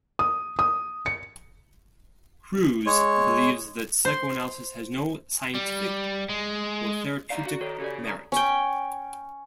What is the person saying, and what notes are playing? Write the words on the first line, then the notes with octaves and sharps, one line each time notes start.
Crews believes that psychoanalysis has no scientific or therapeutic merit.
D#6
D#6
C#7
G#3 C#5
C5
G3
G#3
D#4 D5 F5 A#5
F#4
D#3 F#4 A4 C#5
C#3 G4 A4 D5
A#5 C#6 D#6
C#4 G5